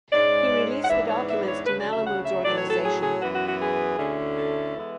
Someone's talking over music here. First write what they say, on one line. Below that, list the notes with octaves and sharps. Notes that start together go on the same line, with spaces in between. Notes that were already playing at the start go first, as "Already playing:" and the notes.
He released the documents to Malamud's organization.
G#2 G#3 C#4 D5
F#5
G#2 E3 B3 D4 E5
C#5
E5
C#5
D2 C#3 F#3 B4
D5
E5
F#5
E5
A2 F#3 C#4 D5
C#5
A4
G#4
G#4
F#2 E3 B3 F#4
F#4
F#4
G#4
D2 D3 A3 C#4 E4
A4
E3 G#3 B3 E4